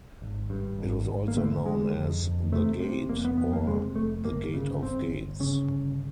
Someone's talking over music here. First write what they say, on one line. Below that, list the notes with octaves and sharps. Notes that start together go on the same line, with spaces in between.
It was also known as "the Gate" or "the Gate of Gates".
G#1
G2
G#1
G#1
A#3
D3 A3
D3 G#3
F2
F2
C3 A3
C3
F1 A#3
B3
F2 B3
A#3
C3 G#3
F1 A3
G1 A#3
C#3
G1 C4
G1
C#3 C#4
G1